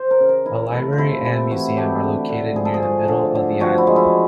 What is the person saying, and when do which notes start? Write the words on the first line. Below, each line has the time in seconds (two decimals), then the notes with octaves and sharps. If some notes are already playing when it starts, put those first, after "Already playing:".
A library and museum are located near the middle of the island.
Already playing: C5
0.11 A#4
0.20 C#3
0.29 A#4
0.46 E3 E4
0.72 A3 E4
0.93 F4
0.98 C3 E4
1.25 C3 E4
1.51 E3 F#4
1.77 A3 G4
2.04 D3
2.29 D3
2.56 F3 G#4
2.65 A4
2.74 G#4
2.83 A3
3.08 D3
3.35 D3
3.60 F3 F#4
3.78 E4
3.87 G#3
3.96 E4